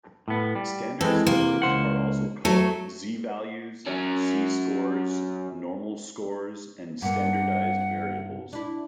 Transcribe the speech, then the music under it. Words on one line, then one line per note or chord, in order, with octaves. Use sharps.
Standard scores are also called z-values, "z"-scores, normal scores, and standardized variables.
A2 B3
G3
E3 G#3 C4 A4
C3 A#3
C#2 C5 F#5
F#3 A3 A4
F#3 C#4
G2 A#3 F#5
D4 E4